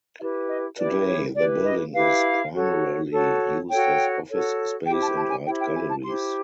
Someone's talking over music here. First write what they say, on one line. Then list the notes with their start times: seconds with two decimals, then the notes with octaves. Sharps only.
Today the building is primarily used as office space and art galleries.
0.18 E4 G4 B4 E5
0.48 D#5
0.77 E4 G4 B4 D5
1.06 C#5
1.36 E4 G4 B4 D5
1.65 D#5
1.94 E4 G4 B4 F5
2.53 F#4 A4 C#5
3.11 F#4 A4 C#5
3.70 F#4 A4 C#5 G5
4.29 F#4 A4 C#5
4.87 E4 G4 C5 G5
5.02 A5
5.16 A5
5.31 G#5
5.45 E4 G4 C5 G5
5.60 G5
5.75 G#5
5.90 A5
6.04 E4 G4 C5 C6